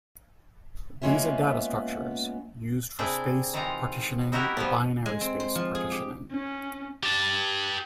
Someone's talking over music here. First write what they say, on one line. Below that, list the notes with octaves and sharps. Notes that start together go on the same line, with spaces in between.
These are data structures used for space partitioning or binary space partitioning.
G#3 A#3 B3 C#4 F4 E5
C3 D4 E4 G#4 D5 G5
D#3 E3 G#3 D#4 F4 A#5
D#4 E4 F#4 G4 A#4 B4
F3 G3 B3
G#3
C4
C5
F3
G#4
G4
C#4
G4 A5